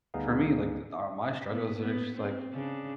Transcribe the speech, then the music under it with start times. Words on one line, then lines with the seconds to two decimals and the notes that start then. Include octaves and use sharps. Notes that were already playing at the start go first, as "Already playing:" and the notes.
for me, like, the th are my struggles are just like
0.14 D2 G3 B3 D#4 G#4 F5
1.47 A#3 B3
1.82 B3
2.17 C4
2.52 C#3 D4